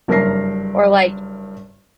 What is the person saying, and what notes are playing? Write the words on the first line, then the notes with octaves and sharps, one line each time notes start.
or, like,
F#1 G2 A#4 E5 A#6 C7